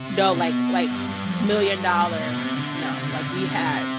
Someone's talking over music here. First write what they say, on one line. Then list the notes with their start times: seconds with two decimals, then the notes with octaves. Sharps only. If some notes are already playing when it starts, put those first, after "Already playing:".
No, like like, million-dollar. No, like we had
Already playing: C3
0.34 B2
0.89 G2
1.09 G2
1.26 F2
1.45 G2
2.00 A2
2.19 B2
2.37 C3
2.56 D3
2.75 C3
2.93 C3
3.03 D3
3.12 C3
3.21 D3
3.31 C3
3.40 D3
3.50 C3
3.66 C3